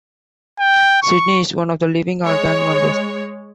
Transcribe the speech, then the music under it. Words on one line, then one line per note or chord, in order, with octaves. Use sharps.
Sidney is one of the living "Our Gang" members.
G5
C#6
G#3 C#5